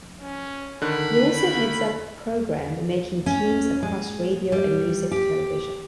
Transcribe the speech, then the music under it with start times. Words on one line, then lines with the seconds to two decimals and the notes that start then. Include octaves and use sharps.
He also heads up programme making teams across radio and music television.
0.20 C#4
0.82 D3 D#3 B5 F#6
3.26 C#4
3.83 G#3
4.52 G3
5.11 G4